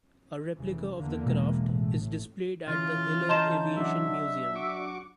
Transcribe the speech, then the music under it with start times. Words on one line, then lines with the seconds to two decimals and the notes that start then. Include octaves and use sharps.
A replica of the craft is displayed at the Hiller Aviation Museum.
0.56 F1 C#3 E3
0.96 E2 D3 A#3
1.26 B2 E3 G#3
1.64 A1 A2
2.67 C#3 E3 F4
3.29 D#5 A5 A#5 C6 G6 E7
3.77 F#3 D4 E5
4.55 F#4 C#6 D6